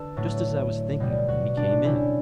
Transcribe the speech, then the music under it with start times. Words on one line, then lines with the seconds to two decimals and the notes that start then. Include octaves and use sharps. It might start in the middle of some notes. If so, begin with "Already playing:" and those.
Just as I was thinking of him he came in.
Already playing: D3 A4 B4
0.17 A2 F#3 A3
1.00 B2 G3
1.28 F#4
1.57 D4
1.84 C#3 G3 E4